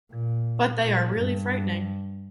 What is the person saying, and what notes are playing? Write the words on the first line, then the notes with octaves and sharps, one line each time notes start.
But they are really frightening.
A#2
A#2
G2